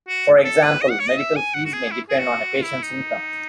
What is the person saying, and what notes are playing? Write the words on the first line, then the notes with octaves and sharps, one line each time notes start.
For example, medical fees may depend on a patient's income.
F#4
A4
B4
D#5
F#5
C#5
D#5
E5
G#5
F#5
F#4
G#4
E4
G#4
F#4
E4
D#4